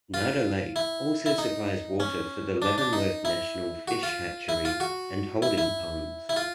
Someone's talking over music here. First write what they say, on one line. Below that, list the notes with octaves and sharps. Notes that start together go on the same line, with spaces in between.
Nada Lake also supplies water for the Leavenworth National Fish Hatchery and holding ponds.
F4
E4
E4
D#4
C#4
D4
D4
D#4
E4
F#4
F4
E4
F4
F#4
E4
E4
E4
F4